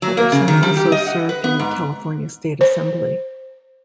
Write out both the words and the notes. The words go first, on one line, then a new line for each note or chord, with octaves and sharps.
Patterson also served in the California State Assembly.
F#3
A#3
C#3
D#3
G3
G4
D#5
F#5
B4
B3
G#2
C5